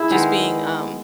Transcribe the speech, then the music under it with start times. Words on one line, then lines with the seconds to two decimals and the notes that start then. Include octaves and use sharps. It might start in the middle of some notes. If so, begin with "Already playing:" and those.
just being, um,
Already playing: E4 G#4
0.11 D#3 G#3 B3